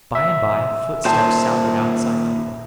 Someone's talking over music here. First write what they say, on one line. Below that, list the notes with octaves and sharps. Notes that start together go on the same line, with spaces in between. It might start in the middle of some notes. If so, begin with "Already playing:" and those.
By and by footsteps sounded outside the door.
E5
A#2 D#3 C5 A5